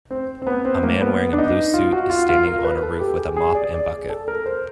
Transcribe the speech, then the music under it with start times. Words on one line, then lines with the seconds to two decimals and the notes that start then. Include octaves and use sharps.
A man wearing a blue suit is standing on a roof with a mop and bucket.
0.11 C4
0.42 C4
0.47 B3
0.65 C4
0.83 A#3
1.01 B3
1.33 D4
1.38 D#4
1.74 F4
1.92 F#4
2.10 F4
2.29 F4
2.47 A#4
2.59 A#4
2.64 B4
2.83 A4
3.00 G4
3.18 G#4
3.37 G#4
3.55 D5
3.74 D5
3.92 G#4
4.10 A4
4.28 A#4
4.46 C5